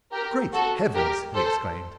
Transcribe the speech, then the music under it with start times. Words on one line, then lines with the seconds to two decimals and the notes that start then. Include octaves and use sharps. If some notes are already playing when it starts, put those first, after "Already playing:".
"Great Heavens!" he exclaimed.
0.12 G4 A#4
0.53 F#4 A4
0.94 G4 A#4
1.35 A4 C5